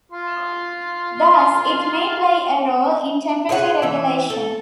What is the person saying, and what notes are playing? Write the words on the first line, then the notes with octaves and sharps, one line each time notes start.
Thus, it may play a role in temperature regulation.
F4 C6
G#4 B4 C#5 F#5
E3 E5
A4